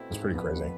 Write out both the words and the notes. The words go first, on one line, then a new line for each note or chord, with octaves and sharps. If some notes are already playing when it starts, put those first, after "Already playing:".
It's pretty crazy.
Already playing: B2 A3 C4 E4
G#2
F2 B3 F4 B4